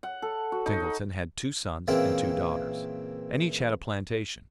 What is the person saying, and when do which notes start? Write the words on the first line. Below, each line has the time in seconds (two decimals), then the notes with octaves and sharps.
Dick Singleton had two sons and two daughters, and each had a plantation.
0.03 F#5
0.22 A4
0.52 F#4
0.66 D#4
1.88 A#2 C#3 E3 A#3 C4 E4